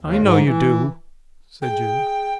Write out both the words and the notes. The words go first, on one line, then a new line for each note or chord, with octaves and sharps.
"I know you do!" said Jude.
D#2
G#2
E3
G#4 G5